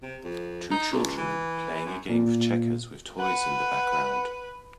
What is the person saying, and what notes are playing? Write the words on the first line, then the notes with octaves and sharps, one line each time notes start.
Two children playing a game of checkers with toys in the background.
C3
F2
D#4
C#2
E3
F#2
A#2
B4 F#5